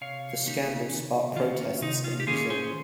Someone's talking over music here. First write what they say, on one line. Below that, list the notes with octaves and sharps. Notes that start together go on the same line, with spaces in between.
The scandal sparked protests in Brazil.
C3 C#5 F5
D#3 A#3 C#4 D#4 G4
C3
D#3 A#3 C#4 F4
C3 D#4
F4
G4
D#3 A#3 C#4 F4 G#4
G#4 C5